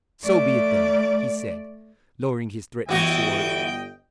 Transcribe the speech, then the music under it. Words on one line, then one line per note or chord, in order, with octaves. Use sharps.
"So be it then," he said, lowering his threatening sword.
A3 D5
G1 E3 F#4 D#5 G5